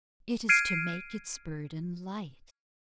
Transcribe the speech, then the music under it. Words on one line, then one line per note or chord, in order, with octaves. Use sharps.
It is to make its burden light.
F6 G#6 C7 D7 D#7